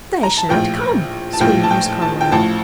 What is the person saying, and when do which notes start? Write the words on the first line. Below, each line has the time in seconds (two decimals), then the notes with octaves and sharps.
"They shan't come!" screamed Miss Carlyle.
0.23 A#5
0.37 A5
0.49 A#1 A2 F3 G5
1.33 A5
1.40 A#1 A2 F3 G5
1.63 A5
1.71 G5
2.02 A5
2.21 G5
2.32 A1 A2 F3 A5